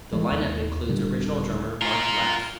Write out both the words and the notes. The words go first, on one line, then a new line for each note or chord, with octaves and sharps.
The line-up includes original drummer Mark Laff.
E3 F#3 G#3
D#2
D#1 D3 G3
F4 A#4